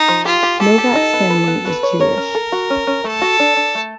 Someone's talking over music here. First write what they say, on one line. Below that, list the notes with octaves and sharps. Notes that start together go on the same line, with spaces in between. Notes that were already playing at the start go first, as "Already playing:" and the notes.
Novak's family is Jewish.
Already playing: D#4
F3
F4 G4
G4
G4 A4
G4
D#4
B3
B4
B3
F#4 B4
C#5
A#4 C#5
C#4
A4
F#4
C#4
C#4
A3 A4
F#4
D4
D4
A3